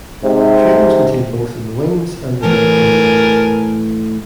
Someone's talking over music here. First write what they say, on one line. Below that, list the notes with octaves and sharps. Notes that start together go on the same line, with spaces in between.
Fuel was contained both in the wings and the deep fuselage.
G#2 C3
A2 E3 A3 A#4 G#5 A5